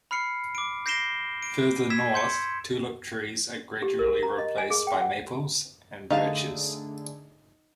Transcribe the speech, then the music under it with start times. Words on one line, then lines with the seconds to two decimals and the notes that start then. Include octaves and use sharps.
Farther north, tulip trees are gradually replaced by maples and birches.
0.11 B5 F6 C7 C#7
0.55 D6 D7
0.86 G6 A#6 C7 D7 E7 G7
1.43 D7
1.90 E6 G#6 B6 E7
2.14 C6 G6 C#7
3.82 G4
3.99 A#4
4.23 A#5
4.38 D#5
4.58 G#5
4.70 G#4
4.87 G5
5.01 F#5
6.10 D3 A3 D#4 G#4 F5 A5